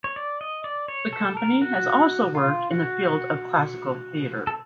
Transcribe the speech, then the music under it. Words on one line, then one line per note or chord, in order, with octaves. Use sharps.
The company has also worked in the field of classical theatre.
C#5
D5
D#5
D5
C#5
A4
A#4
F#4
F4
F#4
A4